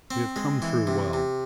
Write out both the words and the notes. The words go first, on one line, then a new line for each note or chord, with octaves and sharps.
We have come through well.
C4
G#3
E3
C3
C3